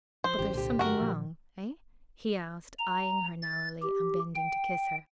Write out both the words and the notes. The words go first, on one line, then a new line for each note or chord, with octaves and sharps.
"But there's something wrong--eh?" he asked, eying her narrowly, and bending to kiss her.
F3 C5
G#1 E3 C#4 G4
C2 A#2 D3 G4
G2 F#3 A3 F#4 A#4
A#2 F3
A#5
A6
G4
G5